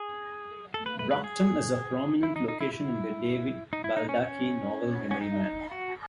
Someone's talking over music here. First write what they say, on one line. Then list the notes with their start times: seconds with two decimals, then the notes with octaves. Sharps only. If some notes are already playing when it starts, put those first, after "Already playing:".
Brocton is a prominent location in the David Baldacci novel Memory Man.
Already playing: G#4
0.74 A4
0.86 B4
0.99 B4
1.11 B4
1.24 G#4
2.23 E4
2.36 D#4
2.48 D#4
2.61 E4
2.73 E4
3.73 D#4
3.84 E4
3.97 D#4
4.09 C#4
4.21 C#4
5.11 C#4
5.21 D#4
5.71 F#4